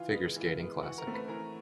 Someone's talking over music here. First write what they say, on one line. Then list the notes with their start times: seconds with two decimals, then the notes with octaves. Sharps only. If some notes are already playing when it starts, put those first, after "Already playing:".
Figure Skating Classic.
Already playing: E3 F4 F5
0.13 G#3 B3
0.36 E3
0.60 G#3 B3
0.82 E3 F#4 F#5
0.98 A#4 A#5
1.06 A3 C4
1.14 B4 B5
1.28 E3 A#4 A#5